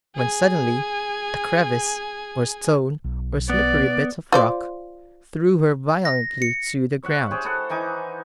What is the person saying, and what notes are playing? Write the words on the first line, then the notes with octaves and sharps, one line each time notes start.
When, suddenly, a crevice, or stone, or slippery bit of rock, threw her violently to the ground.
G#4 G#5
B1
B3 D5
F4 C5 D5
A#6
C#7
C#5 E5 F#5
G4 G#4 C5 C#5
E4 A4 F#5
E3 D#4 G#5 D6